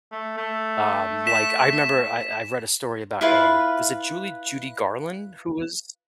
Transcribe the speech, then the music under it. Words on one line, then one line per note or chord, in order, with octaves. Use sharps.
um, like, I remember I I read a story about um, was it Julie Judy Garland who was
A3
A3
B6 E7
E4 F4 B4 F5